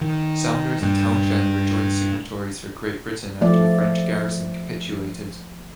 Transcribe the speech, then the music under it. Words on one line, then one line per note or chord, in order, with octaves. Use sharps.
Saunders and Towshend were joint signatories for Great Britain after the French garrison capitulated.
D#3
G2
F3 A3 D5